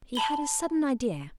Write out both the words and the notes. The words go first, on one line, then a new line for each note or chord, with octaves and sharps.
He had a sudden idea.
A5 B5 G7